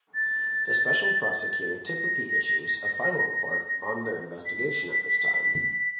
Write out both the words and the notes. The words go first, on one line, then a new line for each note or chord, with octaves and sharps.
The special prosecutor typically issues a final report on their investigation at this time.
A6
A#6
B6